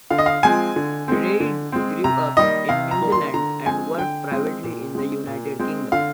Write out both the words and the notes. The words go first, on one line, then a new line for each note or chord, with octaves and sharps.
Reid grew up in New Zealand and worked privately in the United Kingdom.
D3 F5
D#5
F5
F3 G#3 C4 G#5
D3
G#3 C4
D3
G#3 C4
C3 A#5
D#3 G3 A#3 D#5
C3 F5
A#5
D#3 G3 A#3
C6
D3 A#5
F3 G#3 C4 G#5
D3 G5
F3 G#3 C4
A#2
G#3 C4
A#2
G#3 C4
D3 F5